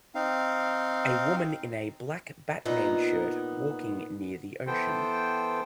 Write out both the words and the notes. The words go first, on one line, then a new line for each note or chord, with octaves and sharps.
A woman in a black Batman shirt walking near the ocean.
C4 D#4 F5
A#2 B3 D#4 A#5
E3 B3 A4 C5 G5